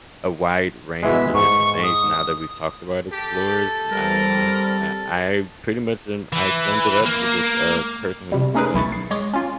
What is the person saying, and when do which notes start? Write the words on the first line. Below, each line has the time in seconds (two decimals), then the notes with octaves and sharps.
a wide range of different things now that we've talked about explorers n and I I pretty much and I summed it up to just a person who's, like,
1.03 B2 E3 G#3 E5
1.34 G#2 C#6
1.83 D#6
3.12 G4 A4
3.92 G3 C4 A#4
6.33 E3
7.06 A#3
8.32 C3 G3
8.54 A3 C#4 D#4 G#4 A#4 B4
8.74 B1 E4 C#6 A6
8.92 C7
9.11 G#3 C#5 D#5 D6
9.34 C#4 F4